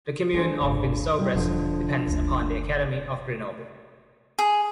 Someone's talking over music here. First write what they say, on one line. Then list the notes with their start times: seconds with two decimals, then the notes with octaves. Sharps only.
The commune of Vinsobres depends upon the academy of Grenoble.
0.34 D3 G#3 G#4 C5
0.61 D1 G1
1.19 G3 E4
1.34 E1 D3 F3
2.07 F#1 D2
4.39 G#4